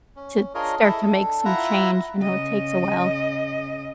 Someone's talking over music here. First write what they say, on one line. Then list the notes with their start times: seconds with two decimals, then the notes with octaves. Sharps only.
to start to make some change, you know, it takes a while,
0.16 C#4
0.55 D4 F4 G#4 A#4 C#5 D#5
0.82 E4 G#4 A4 D#5 E5
1.02 D4 A4
1.45 E4 F4 E5 F#5 A#5
2.18 C#3 D#5